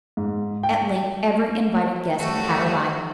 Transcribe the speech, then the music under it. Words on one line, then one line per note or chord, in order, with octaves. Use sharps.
At length every invited guest had arrived.
G#2
G5
F#2 G3 A3 F#4